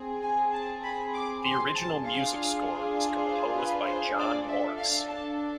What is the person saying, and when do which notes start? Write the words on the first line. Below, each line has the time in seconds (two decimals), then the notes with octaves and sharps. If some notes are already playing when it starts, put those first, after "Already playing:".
The original music score was composed by John Morris.
Already playing: C4 G#4
0.23 G#5
0.53 A5
0.84 B5
1.14 D6
1.45 C6
1.75 A5
2.05 D4 F4 G#4 F5
3.27 C5
3.57 B4
3.87 C5
4.18 D5
4.48 D4 A4 E5
4.78 F5
5.08 A5